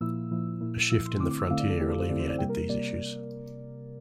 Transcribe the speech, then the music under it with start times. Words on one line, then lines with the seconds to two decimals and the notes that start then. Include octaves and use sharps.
A shift in the frontier alleviated these issues.
0.01 A#2 F3 A#3 E4 E6
0.31 A#2 F3 A#3 E4
0.61 A#2 F3 A#3 E4
0.90 A#2 F3 A#3 E4 E6
1.06 C6
1.20 D3 A3 C4 E4 D6
1.31 D6
1.39 E6
1.50 D3 A3 C4 E4 F5
1.59 D5
1.70 A4
1.80 D3 A3 C4 E4 G4
1.89 A4
1.99 C5
2.09 D3 A3 C4 E4 D5
2.20 C5
2.30 D5
2.39 C3 G3 A#3 G5
2.49 A#4
2.69 C3 G3 A#3 D5